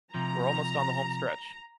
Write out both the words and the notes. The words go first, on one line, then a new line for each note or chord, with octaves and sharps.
We're almost on the home stretch.
C3 F3 A#5